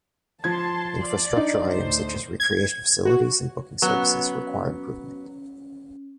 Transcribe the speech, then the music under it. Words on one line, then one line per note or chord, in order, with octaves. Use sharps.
Infrastructure items such as recreation facilities and booking services require improvement.
F3 A5 C6 G#6
D5
D4 D#4
D2 A2 C5
G#6
F#4
F#3 B3 C#4